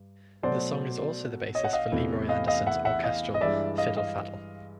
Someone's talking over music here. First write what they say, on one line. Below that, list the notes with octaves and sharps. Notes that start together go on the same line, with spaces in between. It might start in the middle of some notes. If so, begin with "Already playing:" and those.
The song is also the basis for Leroy Anderson's orchestral "Fiddle Faddle".
Already playing: G2
B2 F#3 A3 C5 D5
C#5 D#5
F#5
D#5 F5
E2 C3 E3 A3
D#5 F5
D#5 F5
E5 F#5
E5 F#5
D#5 F5
D#5
G2 E3 G#3 D5 E5
D#5 F5
D#5 F5